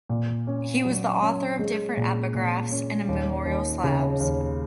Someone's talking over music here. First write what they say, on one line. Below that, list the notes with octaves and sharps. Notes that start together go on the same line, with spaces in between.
He was the author of different epigraphs and memorial slabs.
A#2
C#4
F#3
C#4
G#3
A#2
A#2
C#4
D#2
D#2
C#3
D#2